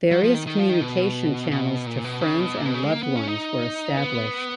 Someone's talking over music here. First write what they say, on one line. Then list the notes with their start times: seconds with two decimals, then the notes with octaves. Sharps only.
Various communication channels to friends and loved ones were established.
0.11 F#3
0.23 F3
0.34 D#3
0.47 D#3
0.58 F3
0.69 D#3
0.81 B2
1.51 B2
1.86 A#2
2.04 B2
2.21 C#3
2.40 B2
2.57 A#2
2.65 B2
2.74 C#3
2.83 G#3
2.92 A#3
3.03 B3
3.16 C#4
3.28 D#4
3.97 B3